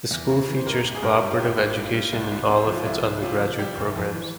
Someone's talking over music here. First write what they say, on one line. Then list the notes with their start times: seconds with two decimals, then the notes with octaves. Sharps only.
The school features cooperative education in all of its undergraduate programs.
0.11 E2
0.29 C#3
0.48 E3
0.56 C5
0.66 G#1 A#4
0.84 G#1
0.95 G#4
1.03 G2 A#4
1.22 G3
1.32 F4
1.39 G#1 G4
1.57 G#1
1.76 G2
1.94 G3
2.12 C2
2.31 C2
2.49 C3
2.67 F3
2.77 F4
2.86 C2 E4
3.04 C2
3.22 C3 F4
3.40 F3
3.58 G3 G4
3.77 F1
3.96 F2
4.13 E3